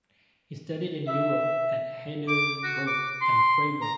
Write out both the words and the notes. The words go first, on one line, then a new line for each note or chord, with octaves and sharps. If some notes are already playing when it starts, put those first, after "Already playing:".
He studied in Europe at Heidelberg and Freiburg.
E5
D6
F#4
D6
C6
A#5